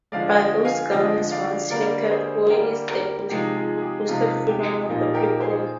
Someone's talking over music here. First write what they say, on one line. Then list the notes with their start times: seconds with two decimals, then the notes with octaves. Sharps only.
But those governors once selected, where is the boasted freedom of the people?
0.12 D3 F3 G#3 D5 F5
0.39 D#5 G5
0.65 F5 G#5
0.91 D3 F3 G#3 D#5 G5
1.31 D5 F5
1.71 D3 G3 A#3 A#4 D5
2.11 G#4 C5
2.50 D3 G3 A#3 G4 A#4
2.90 G4 A#4
3.29 C3 F3 G#3 D#4 G4
3.56 F4 G#4
3.77 G#4
3.82 G4
4.08 C3 F3 G#3 D#4 F4
4.49 G4
4.89 A#2 F3 A#3 D#4
5.14 G4 A#4
5.40 G#4 C5